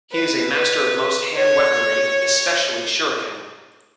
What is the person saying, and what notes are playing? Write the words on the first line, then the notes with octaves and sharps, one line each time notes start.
He is a master of most hand weaponry, especially shuriken.
B4
B4
C#5